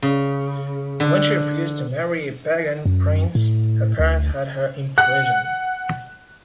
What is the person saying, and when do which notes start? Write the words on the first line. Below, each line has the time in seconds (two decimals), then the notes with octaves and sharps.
When she refused to marry a pagan prince, her parents had her imprisoned.
0.03 C#3
1.00 D3
2.85 F#2
3.35 A2
3.99 D2
4.98 F#5 F#6